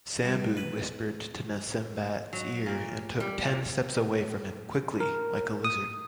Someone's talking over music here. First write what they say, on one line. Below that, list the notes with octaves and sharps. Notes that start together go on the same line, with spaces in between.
Sambuu whispered to Nasanbat’s ear and took ten steps away from him quickly like a lizard.
G2
B4
F#3
A#2
G3
A#2
A#4
D#6